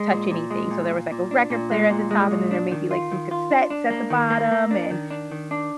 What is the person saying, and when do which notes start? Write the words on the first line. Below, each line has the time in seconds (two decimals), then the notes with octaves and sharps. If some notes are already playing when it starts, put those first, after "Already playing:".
touch anything, so there was, like, a record player at the top, and then there may be, like, some cassettes at the bottom, and,
Already playing: G#3
0.11 A#2
0.31 A#2
0.51 G#3
0.71 A#2
0.90 A#2
1.12 A#2
1.31 D4
1.50 A#2
1.71 G#3
1.90 A#2
2.11 G#3
2.31 A#2
2.51 D4
2.72 D#3
2.91 F4
3.12 D#3
3.31 F4
3.51 D4
3.70 D4
3.90 A#3
4.10 D#3
4.30 A#3
4.52 A#3
4.71 D4
4.91 D#3
5.10 D4
5.32 D#3
5.51 D4